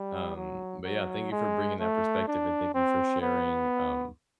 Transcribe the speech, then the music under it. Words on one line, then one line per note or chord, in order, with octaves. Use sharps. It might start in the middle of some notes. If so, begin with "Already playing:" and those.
Um, but yeah, thank you for bringing that perspective, and thank you for sharing, um,
Already playing: G3
F#3
F#3
G#3
A3
D4
C4
B3